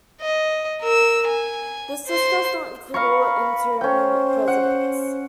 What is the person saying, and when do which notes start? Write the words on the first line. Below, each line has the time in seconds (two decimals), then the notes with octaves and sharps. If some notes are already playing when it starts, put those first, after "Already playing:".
This list does not include all interim presidents.
0.21 D#5
0.80 A#4 E6
1.27 G#5
2.07 C5 C6
2.94 F5 A#5 B5 C#6
3.81 C#4 C5 G5
4.48 F#5